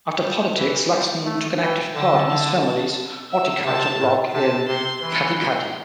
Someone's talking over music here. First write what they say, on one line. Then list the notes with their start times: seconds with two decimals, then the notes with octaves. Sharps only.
After politics, Luxton took an active part in his family's horticulture block in Katikati.
0.24 G3
0.57 E3
0.91 G3
1.26 A3
1.60 E3 G5
1.94 D3 A5
2.29 A5
3.31 E5
3.65 C3 A5
3.99 A2
4.33 C3 A5
4.68 C3 C6
5.02 E3 C6